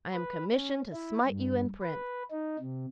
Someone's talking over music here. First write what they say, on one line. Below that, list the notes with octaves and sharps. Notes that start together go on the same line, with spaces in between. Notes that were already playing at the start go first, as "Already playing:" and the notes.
I am commissioned to smite you in print.
B4
C#4
E4
G2
B4
D#4
C3